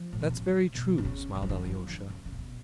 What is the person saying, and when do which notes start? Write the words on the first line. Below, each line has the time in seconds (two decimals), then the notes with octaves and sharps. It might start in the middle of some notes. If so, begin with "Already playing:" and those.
"That's very true," smiled Alyosha.
Already playing: F3
0.12 A2
0.22 B2
0.30 C#3
0.75 B2
0.98 D3
1.05 C#3
1.35 D3
1.42 F3
1.49 D3
1.65 F3
1.87 D3
2.10 C#3
2.25 C#3
2.32 B2